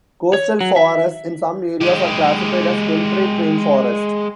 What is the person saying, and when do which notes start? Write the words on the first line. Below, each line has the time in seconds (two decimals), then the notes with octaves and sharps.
Coastal forests in some areas are classified as temperate rain forest.
0.33 C#5
0.61 F#3
0.76 E5
1.81 G#3 G4